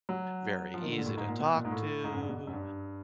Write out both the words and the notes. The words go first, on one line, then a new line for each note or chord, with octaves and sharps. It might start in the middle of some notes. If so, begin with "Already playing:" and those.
very easy to talk to,
F#3
F3
D#3
D3
A#2
A2
G#2
A#2
B2
A#2
G#2
A2
G#2
F#2
G2
B2
F#2
G2